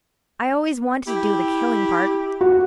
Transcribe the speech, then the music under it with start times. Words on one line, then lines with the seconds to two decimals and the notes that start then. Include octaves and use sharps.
I always wanted to do the killing part.
1.07 E4 G4
2.41 F#4